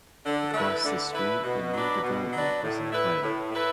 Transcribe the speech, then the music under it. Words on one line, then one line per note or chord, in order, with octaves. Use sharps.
Across the street a new development was in planning.
D3
A3 E4 B4
D3
A3 E4 B4
B2
F#3 D4 B4
B2
F#3 D4 B4
A2
A3 E4 B4
A2
A3 E4 B4